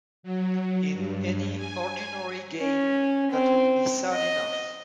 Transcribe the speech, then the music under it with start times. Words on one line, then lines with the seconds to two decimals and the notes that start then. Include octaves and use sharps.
In any ordinary game, that would be sad enough.
0.23 F#3
0.93 G2
1.57 G#5
2.60 C#4
3.31 C4
4.13 D#5